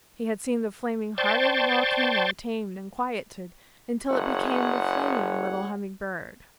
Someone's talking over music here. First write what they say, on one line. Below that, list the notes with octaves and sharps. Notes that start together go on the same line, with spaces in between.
He had seen the flaming heart of the volcano tamed and quieted until it became the flaming little Humming-Bird.
C5 D5 G5 A5 C6 C#6
F#1 G#4 C#5 F#5